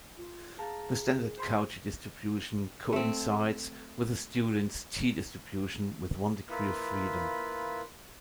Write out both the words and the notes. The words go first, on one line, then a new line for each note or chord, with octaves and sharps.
The standard Cauchy distribution coincides with the Student's "t"-distribution with one degree of freedom.
F4
G#4 F5 A5 A#5
C5 B5 C6
A3 C4
A#3 E4 F4 B4